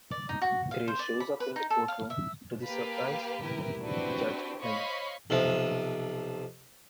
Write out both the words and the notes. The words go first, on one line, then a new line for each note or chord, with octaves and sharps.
Gray shows up in the courtroom, to the surprise of Judge Helms.
D5
D#4
F#4
F5
C5
D5
B5
B4
D#4
A4
F5
E5
A#3 G4 B4 F5 A5 B5
E4 G4 A#4 B4
C4 D4 E4 F#4 G4 B4
C5 C#5 D#5 F5 B5 C#6
B1 C3 F3